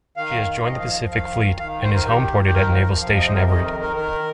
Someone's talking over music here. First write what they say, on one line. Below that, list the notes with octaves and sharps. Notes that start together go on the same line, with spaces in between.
She has joined the Pacific Fleet and is homeported at Naval Station Everett.
D#3 F5
D#3
F3 D#5
F5
F3
D#3 F5
D#3
D#3 F5
D#3 C5
A#4
D#3 G4
D#3
G4
F3 A#4
F3
C3 F5
D#5
F2 C5
A#4
D#3 D#5
A#4
D#3
A#4
D#3 A#4